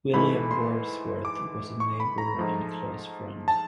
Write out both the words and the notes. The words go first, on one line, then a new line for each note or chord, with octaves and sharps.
William Wordsworth was a neighbour and close friend.
G#2 E3 A3 B5
C6
D6
C#6
B5
A#5
G#2 F3 A3
A5